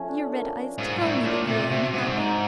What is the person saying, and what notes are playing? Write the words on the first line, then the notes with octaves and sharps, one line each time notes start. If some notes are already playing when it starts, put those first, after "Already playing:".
Your red eyes tell me that you are unhappy.
Already playing: F3 A3 C#4
D4
A#4
D4
G#2 F4
A2 D4
A#2 A#4
C3 C4
C3 F#4
G#2 C4
D#4